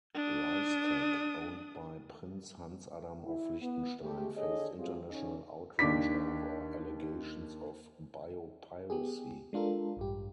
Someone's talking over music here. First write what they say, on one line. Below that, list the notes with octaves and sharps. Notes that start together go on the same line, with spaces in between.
RiceTec, owned by Prince Hans-Adam of Liechtenstein, faced international outrage over allegations of biopiracy.
D4 D#6
E4
B3
G#3 A3 G4
D3 D4 G#4 A4 C#5 D#5
G3 A3 C4 F4 F#4 G#4
D3 C#4 D#4
D#2 D4 D6 B6
B3 G4 G#4
G#3 D4 F4 A4 A#4
A1 G2 G4